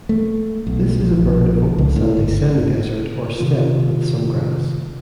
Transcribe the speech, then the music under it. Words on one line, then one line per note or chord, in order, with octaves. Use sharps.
This is a bird of open sandy semi-desert or steppe with some grass.
A3
B1
A#1
C#2
A2
G1
C3 D#3 F4